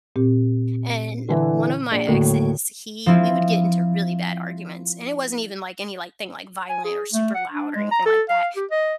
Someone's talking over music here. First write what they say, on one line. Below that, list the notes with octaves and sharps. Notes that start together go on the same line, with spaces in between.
And one of my exes, he we would get into really bad arguments, and it wasn't even, like, any, like, thing, like, violent or super loud or anything like that.
A#2 C4 G4
D3 E3 E4
A#1
D#2 A2 D3 F#3
F3 C4 E4 F4
G#5
G#4
A3
F#5
D4
G#3
A#5
A4
F5
G4
D#5